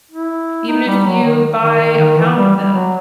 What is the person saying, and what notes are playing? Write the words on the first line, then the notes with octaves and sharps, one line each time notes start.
even if you buy a pound of them.
E4
D#4
G3
F#3
D#3
D#3
D#3
D#3
E3
G3
G3
F#3